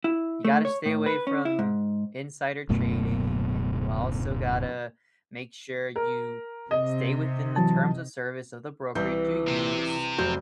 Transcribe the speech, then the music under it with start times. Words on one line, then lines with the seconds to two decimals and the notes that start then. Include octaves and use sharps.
you gotta stay away from insider trading, and you also gotta make sure you stay within the terms of service of the brokerage you use,
0.04 E4
0.45 A3
0.65 C#5
0.86 A2
1.06 B4
1.27 C#4
1.45 E4
1.59 G#2
2.69 D1 F#2 B2 A3
5.96 A#4
6.71 C3 D#5
7.56 E3 F#3 A5
8.95 C2 E3 G6
9.48 C3
10.19 F1 F#3 C5 G6